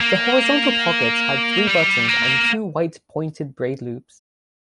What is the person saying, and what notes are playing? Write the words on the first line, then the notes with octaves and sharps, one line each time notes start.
The horizontal pockets had three buttons and two white pointed braid loops.
A#3
G3
A#3